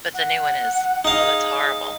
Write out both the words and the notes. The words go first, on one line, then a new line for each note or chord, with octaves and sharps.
But the new one is Oh, it's horrible.
F#5
D#4 G#4 F5